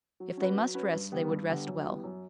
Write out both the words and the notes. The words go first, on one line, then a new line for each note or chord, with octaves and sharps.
If they must rest they would rest well.
F#3
C#4 F#4 B4
F#3
C#4 F#4 B4
G2
D3 G3 B3
G2
D3 G3 B3
F#2
E3 G3 B3
F#2